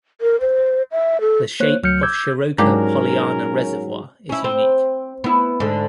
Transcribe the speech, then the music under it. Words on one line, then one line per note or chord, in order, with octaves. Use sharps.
The shape of Shiroka Poliana reservoir is unique.
A#4
C5
E5
A4
A#3 C5 C#5 F#6
D2 F#3 F6 G6 C#7
D6 E6 G6 G#6
G#2 F#3 A#3 C#4 D4 G4 A#4
C#4 E4
C4
B3 E4
G#2 D3